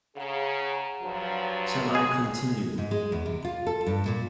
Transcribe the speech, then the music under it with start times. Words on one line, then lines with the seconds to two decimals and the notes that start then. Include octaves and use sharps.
Shall I continue?
0.17 C#3 G#4 F#5 A#5
1.02 G2 F3 F#3
1.95 G#4 G#5
2.78 G#2
2.91 G#3
3.12 E2
3.26 C3
3.45 F4
3.67 A4
3.86 G2
4.06 A#2